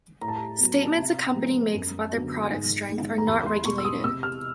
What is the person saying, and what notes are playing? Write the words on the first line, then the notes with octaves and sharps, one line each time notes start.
Statements a company makes about their product strength are not regulated.
A2 A#5
A5
A#5
F#3 B3
C3
F3 G#3 B3
F#2
D3 F#3 B3
G#2
D#3 G#3 B3
A#5
E2 B5
C6
B2 G#3 C#6
E6
D#6
C3 E6
F6